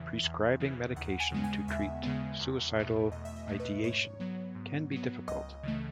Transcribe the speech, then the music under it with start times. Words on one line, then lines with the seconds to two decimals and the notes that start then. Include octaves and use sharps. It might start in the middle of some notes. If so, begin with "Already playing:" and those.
Prescribing medication to treat suicidal ideation can be difficult.
Already playing: E2 C#3 E3 E5
0.24 E2
0.60 C#3 E3
0.96 D#2 F#5
1.20 G#5
1.32 C#3 G#3 B3
1.44 G#5
1.68 D#2 E5
2.04 C#3 G#3 B3
2.40 E2
2.76 B2 A3
3.12 E2 D#5
3.25 E5
3.36 D#5
3.48 B2 A3
3.60 B4
3.83 G#2 C#5
4.20 F#3 B3
4.55 G#2
4.91 F#3 B3
5.28 C#2 D#5
5.63 C#3 E3 A3